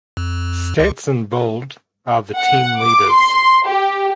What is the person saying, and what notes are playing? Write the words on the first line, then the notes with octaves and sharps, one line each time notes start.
Stats in bold are the team leaders.
F2
C#2
F#5
D6
C6
G4